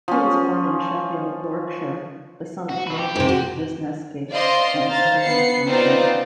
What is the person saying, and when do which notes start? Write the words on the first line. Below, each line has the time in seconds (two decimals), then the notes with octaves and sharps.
He was born in Sheffield, Yorkshire, the son of Norbert Wisniewski and Evelyn Mardlin.
0.08 F3 C#4
2.69 F#4
2.87 D#4 B4
2.99 G4
3.16 G#2 C3
3.29 F#4
4.32 C5 D5 D#5 F5 C6
4.87 C5 F5 A#5 A6
5.19 B3 C7 C#7
5.66 B3 C4 D#4 F4 C5 D5